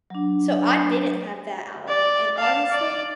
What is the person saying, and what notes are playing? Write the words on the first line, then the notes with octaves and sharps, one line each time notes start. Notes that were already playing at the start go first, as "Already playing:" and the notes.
So, I didn't have that outlet and honestly,
F#3 D4
D5
F5 A5
D5